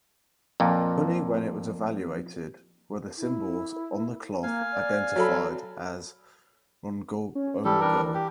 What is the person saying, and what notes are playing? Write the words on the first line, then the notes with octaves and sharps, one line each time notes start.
Only when it was evaluated were the symbols on the cloth identified as rongorongo.
F2 A#2
E4
A#3 F5 G#5
D5
F#3 A4 B5
C#4
E3 G3 G4 A4
G3 D4 A#4
G4